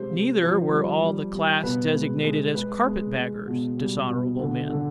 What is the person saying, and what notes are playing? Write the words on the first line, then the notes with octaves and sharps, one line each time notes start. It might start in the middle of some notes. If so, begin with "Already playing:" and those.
Neither were all the class designated as carpetbaggers dishonourable men.
Already playing: C3 G#3 C5
C3
F3
G3
G3
G3
B2 B4
G#3
G#3
G#3 B4
G#3
G#3
B2
G3
B2
D3
D3